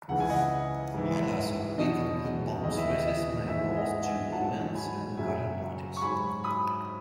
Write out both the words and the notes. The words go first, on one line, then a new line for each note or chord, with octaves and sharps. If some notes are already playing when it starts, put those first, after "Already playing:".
Highlights of the week include Bumps races, May Balls, June Events and garden parties.
C#2 C#3 E3 F#5
G#5
D#5 F#5
G#2 E3
E2 B2 F#3 D#5
D#2 C#3 E3 D#5
E5
D#5
D#5
G#2 E3 E5
G#5
D#5 F#5
F#5
E5 G#5
G#2 F#3 F#5 A5
G#5 B5
F#2 C#3 F#3 E5 G#5
C#6
G#2 F#3 G#5 B5
B5 D#6